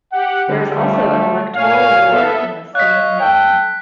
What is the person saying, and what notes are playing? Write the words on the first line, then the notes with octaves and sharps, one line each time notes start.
There is also an electoral ward in the same name.
G4 F#5
D3 G3
F3 A3
A#2 C#5 F5 G#5
B3 A4 E5
C#5 D#5 F5 F#6 B6
A4 G5